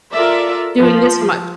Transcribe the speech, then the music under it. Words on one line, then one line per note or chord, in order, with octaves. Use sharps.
doing this much.
F4 A4 A#4 D5 E5
F3